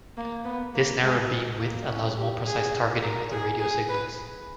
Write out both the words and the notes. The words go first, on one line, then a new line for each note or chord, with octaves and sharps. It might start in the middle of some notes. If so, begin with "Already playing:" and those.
This narrow beam width allows more precise targeting of the radio signals.
A#3
B3
A#3
G#3
A#3
C#4
G4
G#4
A#4
G#4
G#4
B4